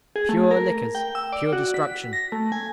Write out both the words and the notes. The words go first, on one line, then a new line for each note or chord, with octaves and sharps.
"Pure liquors:" pure destruction!
G#4
A3
A#4
G5
E6
D5
F#4
B6
A#6
A3
G#5